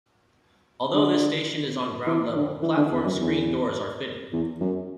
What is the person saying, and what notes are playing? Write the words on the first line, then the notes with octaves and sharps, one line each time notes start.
Although this station is on ground level, platform screen doors are fitted.
D3
E3
D3
E3
D3
E2
F#2
E2
E2
F#2